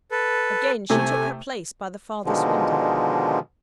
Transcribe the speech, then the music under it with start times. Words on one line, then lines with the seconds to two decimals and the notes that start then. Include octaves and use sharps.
Again she took her place by the farthest window.
0.11 A4 B4
0.90 C3 A3 G#5
2.25 B2 D3 D#3 F3 G#3